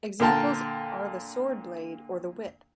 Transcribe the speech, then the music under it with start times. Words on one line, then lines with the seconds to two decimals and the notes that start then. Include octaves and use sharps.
Examples are the swordblade or the whip.
0.20 A#2 D3 A#4 G5 A5